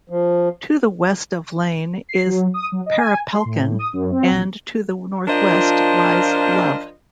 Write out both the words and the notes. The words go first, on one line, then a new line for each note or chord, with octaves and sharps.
To the west of Lane is Perepelkin, and to the northwest lies Love.
F3
C7
F#3
D#6
F#3
D#5
G#5
C6
A2
D#6
F#2
C4
A#1
F3 D4 F4 A#4 C5 D#5